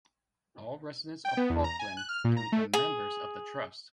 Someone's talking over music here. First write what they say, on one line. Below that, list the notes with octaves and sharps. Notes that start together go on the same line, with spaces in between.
All residents of Falkland can become members of the trust.
G5
B3
E2
A#5
G#5
F#6
F6
A#2
A#5
A3
G#4